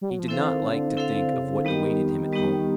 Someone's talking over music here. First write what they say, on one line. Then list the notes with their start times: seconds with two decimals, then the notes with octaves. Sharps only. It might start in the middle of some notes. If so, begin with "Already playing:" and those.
He did not like to think of what awaited him at home.
0.01 G3
0.10 F#3
0.19 F3
0.28 E3 C4 E4 A4 C5 F5
0.52 D#3
0.68 C#3
0.74 D3
0.88 D#3
0.97 D3 C4 E4 A4 C5 F5
1.34 C3
1.43 C#3
1.54 D3
1.64 D#3 G3 B3 D#4 G4
2.33 G3 B3 D#4 G4